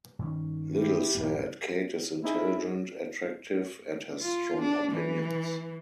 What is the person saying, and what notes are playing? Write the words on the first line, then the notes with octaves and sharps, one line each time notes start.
Liddle said: Kate is intelligent, attractive and has strong opinions.
G2 D#3 C#4
E4 G4
A#1 G2 A#3
C4 D#4 E4 G#4
F4
D4
E3